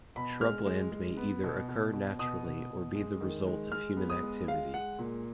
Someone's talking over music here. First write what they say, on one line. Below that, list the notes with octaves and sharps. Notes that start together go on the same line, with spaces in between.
Shrubland may either occur naturally or be the result of human activity.
B2 B5
G#3 F6
G#3
G#3
B3
B2
B2
B2
B2 D#6
B2
B2
G#3
D#3
G#3
G#3 F6
B3
D#6
G#3
G#3 F5
G#3 F#5
A#2